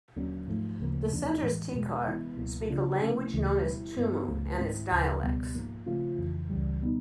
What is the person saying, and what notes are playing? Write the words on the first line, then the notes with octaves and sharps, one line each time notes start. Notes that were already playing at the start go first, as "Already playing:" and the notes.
The Centre's Tikar speak a language known as Tumu and its dialects.
D#2 D3 F#3 A#3 C#4
G#2 F3 A3
D2 C#3 F3 A#3
E2 C3 F3 A#3 D4
A2 E3 G#3
E2 B2 G#3
C3 E3 G#3 B3 E4
C#2 B2 F#3 A#3
C#3 F3 A#3 D4 F4
C3 F3 A3 C#4 E4
D2 C#3 E3 A3
B2 G3 C4 E4
G2 D3 G3 B3
C#2 C#3 F3 A3
G#2 D#3 G#3 C4 E4
D2 C#3 F3
C#2 B2 G3 B3
G#2 F3 A#3
C#3 F3 A3 C4 F4
F2 C#3 E3
C#2 C#3 E3 G3
B2 G3 B3 D#4